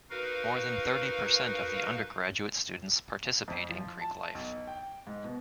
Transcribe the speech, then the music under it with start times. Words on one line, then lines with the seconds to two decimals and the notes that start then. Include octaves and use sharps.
More than thirty percent of the undergraduate students participate in Greek Life.
0.10 D#4 F#4 A#4 B4 F5
3.48 F2
3.70 F3
4.01 A5
4.35 B1
4.67 G5
5.07 G#2
5.24 B2